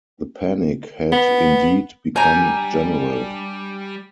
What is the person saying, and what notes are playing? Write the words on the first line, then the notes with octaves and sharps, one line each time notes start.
The panic had indeed become general.
B3
D#3 G3 G#5 A#5 G6
D4